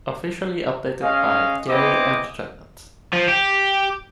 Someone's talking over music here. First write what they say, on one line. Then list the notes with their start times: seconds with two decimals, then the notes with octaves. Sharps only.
Officially updated by J Entertainment.
1.02 G#3 C#4 D#5 F5
1.68 B3 C4 E4 G#4 D#5 D6
3.13 F3
3.29 G4